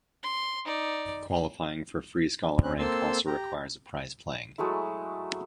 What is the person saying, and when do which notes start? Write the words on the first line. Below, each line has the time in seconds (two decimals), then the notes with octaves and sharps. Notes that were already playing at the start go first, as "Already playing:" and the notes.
Qualifying for Free Scholar rank also requires a Prize Playing.
0.23 C6
0.65 D#4 D5
2.63 C4 C#4 F#6
2.79 A#3 C4 A4 C6 E6
3.27 G4 A#5
4.58 F#3 G#3 A3 E4